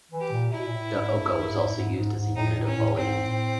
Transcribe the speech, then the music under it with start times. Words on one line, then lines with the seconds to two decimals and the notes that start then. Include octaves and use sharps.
The oka was also used as a unit of volume.
0.11 E3
0.21 G4
0.32 A#2
0.51 C3 E4
0.58 B2
0.66 A#2
0.73 A2
0.93 G#2
1.13 G2
1.44 G#2
1.74 G#2
1.96 G#2
2.15 G#2
2.36 A2 D#4
2.57 A2
2.66 C#4
2.76 A2
2.97 G#2 C4
3.27 A2